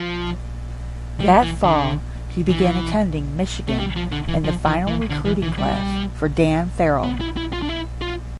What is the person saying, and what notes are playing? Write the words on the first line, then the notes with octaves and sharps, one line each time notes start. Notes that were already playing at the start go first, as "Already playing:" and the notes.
That fall he began attending Michigan in the final recruiting class for Dan Farrell.
Already playing: F3
G3
E3
D3
E3
A3
G3
F3
D3
E3
F3
E3
E3
D3
E3
E3
G3
B3
E4
E4
F4
D4
E4
F4